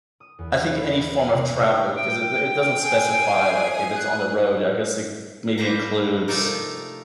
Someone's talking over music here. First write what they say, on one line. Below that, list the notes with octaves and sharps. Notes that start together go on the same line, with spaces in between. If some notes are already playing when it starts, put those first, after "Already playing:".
I think any form of travel, 'cause it d it doesn't specify like if it's on the road, I guess it maybe includes,
D#6
E2
B5
B3
A#5
C3
G5
G#4 G#5
F#6
A#3 D4 B4 C5 A#5
C3 F3 A3 D4 D#4 A#4